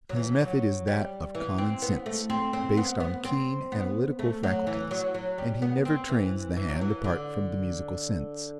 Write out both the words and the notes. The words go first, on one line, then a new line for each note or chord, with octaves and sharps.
His method is that of common sense, based on keen analytical faculties, and he never trains the hand apart from the musical sense.
F#3
E3
F#3
G3
E3
C4
B3
A3
C4
C4
B3
B3
C4
B3
A3
F#3
E3
F#3
F#3
G3
B3
C4
E3
E3
F#3
E3
D3